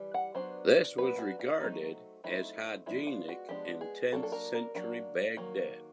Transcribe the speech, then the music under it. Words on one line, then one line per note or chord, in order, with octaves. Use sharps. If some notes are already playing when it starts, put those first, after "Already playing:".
This was regarded as hygienic in tenth century Baghdad.
Already playing: E3 G3
F#5
F#3 B3 D4 C5
F#3 B3 D4 B4
F#4
F4
F#3 A3 C4 D#4
F#3 A3 C4 D#4 E4
F3 G#3 B3 D4 E4
F4
F#4
F3 G#3 B3 D4 G4
G#4
F#3 A#3 D4 A4
A4
A#4
A#4
F#3 A#3 D4
D#3 F#3 A#3